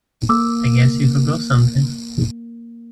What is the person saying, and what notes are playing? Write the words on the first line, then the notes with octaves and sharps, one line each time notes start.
I guess you forgot something.
A#3 D6 E6